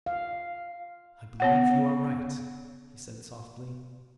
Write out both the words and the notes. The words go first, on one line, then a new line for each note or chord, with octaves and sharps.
"I believe you are right," he said softly.
F5
B3 C#5 F#5